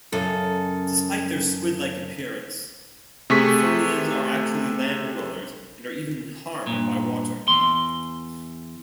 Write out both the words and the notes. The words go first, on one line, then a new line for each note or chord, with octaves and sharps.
Despite their squid-like appearance, chthonians are actually land-dwellers and are even harmed by water.
F#2 C#3 A4
C3 A3 G#4 C#6 B6
G2 A#2
E2 C6